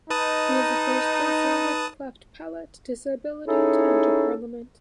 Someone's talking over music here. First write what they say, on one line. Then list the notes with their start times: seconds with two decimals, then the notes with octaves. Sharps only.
He was the first person with the cleft palate disability to enter Parliament.
0.10 D#4 B4 A5 D#6
3.46 C#4 D#4 E4 G#4 A4 C#5